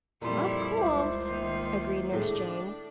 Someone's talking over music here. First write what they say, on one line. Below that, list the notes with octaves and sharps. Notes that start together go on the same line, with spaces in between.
"Of course," agreed Nurse Jane.
F2 A#2 G3 E4 D5 A5 C6
C#2 A3 C5 E5 D6
D#3 A#3
A2 G#3 D4